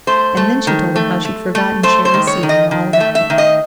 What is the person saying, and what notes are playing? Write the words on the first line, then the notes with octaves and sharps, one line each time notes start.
And then she told him how she'd forgotten Cherry's seed, and all about it.
A3 C5
A3
D#3
A3
A3
A3
A3 C5
C5
D#3
C#5
D#3
D#5
D#3
E5
A3
E5
D#3
D#5